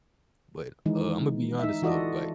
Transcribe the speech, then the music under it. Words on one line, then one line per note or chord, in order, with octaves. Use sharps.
But, uh, I'm gonna be honest though, like,
D#3 E3 G#3 D#4
D#4 E5
E3 F4 F#4 A4 D5 D#5